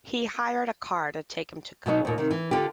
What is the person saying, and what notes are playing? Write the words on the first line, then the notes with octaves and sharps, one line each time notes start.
He hired a car to take him to Kabul.
B2 F#3 B3 D#4
D#2 A#2
C3 D#3
E3
D3 F4 G4